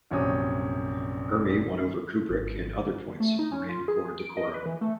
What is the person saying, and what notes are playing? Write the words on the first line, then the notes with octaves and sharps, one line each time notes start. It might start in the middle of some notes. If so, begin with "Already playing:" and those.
Ermey won over Kubrick in other points of Marine Corps decorum.
A#1 F#2 C3 C#5 D#6
G#1
A3
D#4
C#4
F4
G#4
D7
D#5
B4
E3
A3